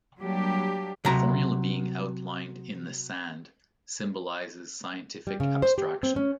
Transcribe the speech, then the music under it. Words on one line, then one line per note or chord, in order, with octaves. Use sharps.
The formula being outlined in the sand symbolizes scientific abstraction.
F#3 G3 A#3 D4 G4
C3 F#3 A#5
G3
C#3
C5
G4
C4
C#4